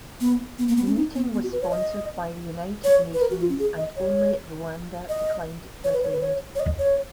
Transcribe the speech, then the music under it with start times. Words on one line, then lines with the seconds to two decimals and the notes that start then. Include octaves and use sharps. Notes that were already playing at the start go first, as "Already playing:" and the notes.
The meeting was sponsored by the United Nations, and only Rwanda declined to attend.
0.21 B3
0.59 B3
0.68 A#3
0.77 B3
0.86 C#4
0.96 D#4
1.15 B3
1.33 B3
1.43 F#4
1.52 B4
1.62 C#5
1.71 D#5
2.84 C#5
3.13 B4
3.21 A#4
3.31 F#4
3.40 F4
3.49 C#4
3.59 G#4
3.78 D#5
3.96 C#5
5.09 D#5
5.84 C#5
5.93 B4
6.03 C#5
6.12 B4
6.21 C#5
6.55 C#5
6.60 D#5
6.79 C#5